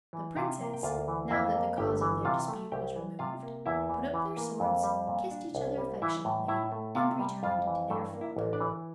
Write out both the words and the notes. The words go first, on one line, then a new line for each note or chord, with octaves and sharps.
The Princes, now that the cause of their dispute was removed, put up their swords, kissed each other affectionately, and returned to their father.
E3
C3 F4 F5
A#3
G5
D2 F4 F5
E3
F2 E4 E5
A#3
G1 G4 G5
E3
C3 F4 F5
A3
C2 G4 G5
E3
C3 F4 F5
A#3
E2 E4 E5
E3
E3
A#3
F2
G3
A#2
D4
C2
G3
E3 E4 E5
A2
A2 E4 E5
A3
C3 F4 F5
G3
F2 F4 F5
E3
G2 A3 A4
A#3
E4
A1
D4 D5
E3